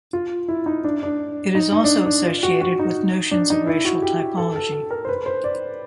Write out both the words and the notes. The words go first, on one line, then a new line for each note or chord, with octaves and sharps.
It is also associated with notions of racial typology.
F4
E4
D#4
D4
D4
D#4
D#4
D4
D4
F4
F#4
F#4
D#4
D4
D#4
E4
F#4
G4
A4
A4
A4
A#4
C5
B4
C5
D5